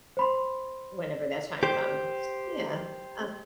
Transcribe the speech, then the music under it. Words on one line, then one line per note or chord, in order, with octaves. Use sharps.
whenever that time comes. Yeah, uh
C5 B5 C6
G4 C5